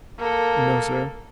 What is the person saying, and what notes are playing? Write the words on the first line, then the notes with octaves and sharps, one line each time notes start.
"No, sir."
A#3 A4